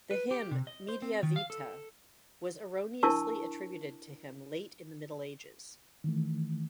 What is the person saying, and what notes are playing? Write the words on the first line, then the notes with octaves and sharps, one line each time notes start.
The hymn "Media Vita", was erroneously attributed to him late in the Middle Ages.
B4
G4
C3
D#5
C5
C4
D#3
F5
A4
D4 E4 A#4 A5 C#6
D#3 E3 A3